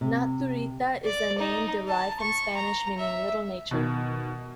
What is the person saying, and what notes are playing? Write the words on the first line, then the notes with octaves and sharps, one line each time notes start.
Naturita is a name derived from Spanish meaning "little nature".
C3
D5
D#4
A5
C#6
A#5
E5
B2 D#3